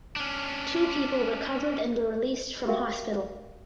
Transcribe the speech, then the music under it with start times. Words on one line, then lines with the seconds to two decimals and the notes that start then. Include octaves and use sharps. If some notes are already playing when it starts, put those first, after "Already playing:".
Two people recovered and were released from hospital.
0.16 C#4 D4
2.67 F#4 G4 A#4 E5 F5 G5